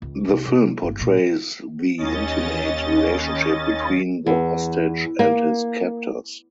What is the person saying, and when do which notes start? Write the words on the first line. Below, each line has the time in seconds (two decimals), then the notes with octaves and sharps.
The film portrays the "intimate" relationship between the hostage and his captors.
0.02 C#2
0.28 C2
0.46 C3
0.83 G1
0.99 A#2 D3
1.98 D#2 C#4 D#5 A6
4.26 E2
5.19 A#3